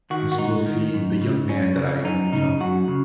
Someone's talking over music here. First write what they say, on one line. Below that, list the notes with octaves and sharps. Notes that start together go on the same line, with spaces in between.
and still see the young man that I, you know,
D#3 F#4
F#4
G#2 D#4
D#3
F#2
C#3
F#2 C#4
C#3
F#2 D#4
C#3 D#4
F#2 F#4
C#3